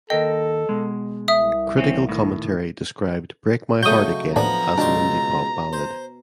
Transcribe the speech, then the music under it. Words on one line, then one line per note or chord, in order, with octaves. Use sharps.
Critical commentary described "Break My Heart Again" as an indie pop ballad.
D#2 A4 A#4 D#5 G5
B2 G#3
C2 E5 D#6
E2 C4 C#4
A2 D#3
C#3 F#3 A3 D#4 C#6 D#6 G6
A2 F3 B3 D4 G#5 A#5
C#2 B2 D4 G5 A5 C6
C5